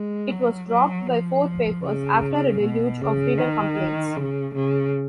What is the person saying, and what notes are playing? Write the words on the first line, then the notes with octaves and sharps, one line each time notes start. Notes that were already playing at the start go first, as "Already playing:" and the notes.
It was dropped by four papers after a deluge of reader complaints.
Already playing: G#3
F#3
F#3
F3
C#3
B2
C#3
D#3
C#3
C#3